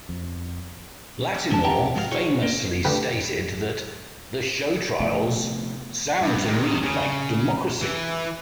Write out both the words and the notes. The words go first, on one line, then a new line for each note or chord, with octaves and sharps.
Lattimore famously stated that the show trials "sound to me like democracy".
F2
D2 F3 A3 D4 A5
G4 E5 F#5 G5 A5 A#5
G#2 F3 F#4 C5 F5
E4 F#4 G#4 C5 C#5
A#3 C4
D3 F3 A3 G4 B4
C3 F3 A3 B3
G2
C3 D#3
C#3
E3